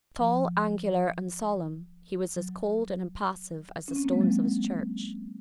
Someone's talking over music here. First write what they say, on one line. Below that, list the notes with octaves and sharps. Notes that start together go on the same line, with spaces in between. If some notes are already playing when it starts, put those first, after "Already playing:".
Tall, angular, and solemn, he was as cold and impassive as the stones of his church.
F3
F#3
C#4
C4
A#3
G#3
F#3